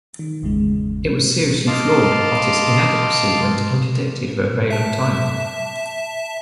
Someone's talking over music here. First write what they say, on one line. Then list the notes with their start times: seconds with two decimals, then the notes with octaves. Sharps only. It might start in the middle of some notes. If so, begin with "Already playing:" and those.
It was seriously flawed, but its inadequacy went undetected for a very long time.
0.19 D#3
0.42 G#1 E2 C#3 G#3
1.67 D#5 F5 A5 C6 D6
4.70 E5 A5